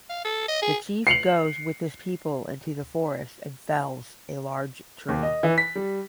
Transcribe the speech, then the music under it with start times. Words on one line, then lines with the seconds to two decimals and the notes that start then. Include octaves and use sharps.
The chief goes with his people into the forest and fells a large tree.
0.10 F5
0.25 A4
0.48 D#5
0.62 G#4
1.07 C7 C#7 F7 F#7
5.08 D#2
5.23 D#5
5.43 E3
5.58 B6
5.75 G3